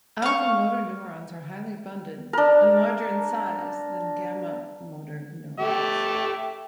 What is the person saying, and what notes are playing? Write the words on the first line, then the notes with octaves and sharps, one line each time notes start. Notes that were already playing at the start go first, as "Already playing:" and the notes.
Alpha motor neurons are highly abundant and larger in size than gamma motor neurons.
F5 C#6
D4 A#4
A3 G4 E5